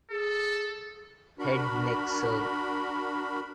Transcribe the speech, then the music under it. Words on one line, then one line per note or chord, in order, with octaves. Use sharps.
Head Neck Surg.
G#4 A4
D4 F#4 A#4 B5